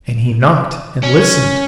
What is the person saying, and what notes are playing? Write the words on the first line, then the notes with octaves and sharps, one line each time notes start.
And he knocked and listened.
C#4